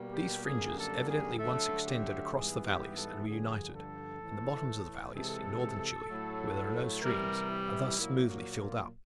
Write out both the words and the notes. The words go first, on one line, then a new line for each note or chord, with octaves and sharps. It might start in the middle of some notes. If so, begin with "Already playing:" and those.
These fringes evidently once extended across the valleys and were united; and the bottoms of the valleys in northern Chile, where there are no streams, are thus smoothly filled up.
Already playing: B2 G3 A#3
G4
F#2 D3 G3 A#3 G#4
A4
G#4
D3 F#3 A3 A4
G4
G#2 E3 G3 B3 G#4
G4
A4
G2 D3 F3 G#4
A4
A2 E3 A3
C3 E3 G#3 A4
A2 F#3 A3
C3 E3 G3 A#4
E4
A#2 F#3 A#3 E4
F#4
F4